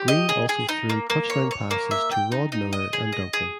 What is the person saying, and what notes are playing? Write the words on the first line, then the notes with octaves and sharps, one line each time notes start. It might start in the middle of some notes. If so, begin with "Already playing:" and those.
Green also threw touchdown passes to Rod Miller and Duncan.
Already playing: G4
D#5
G#4
G#4
D#4
A#3
A#3
C#5
C#5
A#3
E5
G5
D#4
D#4
D#5
G#4
D#5
G#4